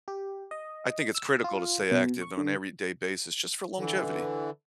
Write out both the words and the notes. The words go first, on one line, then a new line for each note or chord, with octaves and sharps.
I think it's critical to stay active on an everyday basis just for longevity.
G4
D#5
E6
F4
B2
C#6
D3
D3 E3